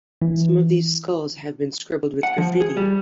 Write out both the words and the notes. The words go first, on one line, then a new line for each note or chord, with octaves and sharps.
Some of these skulls have been scribbled with graffiti.
E3
F#5
F3
G#4
G3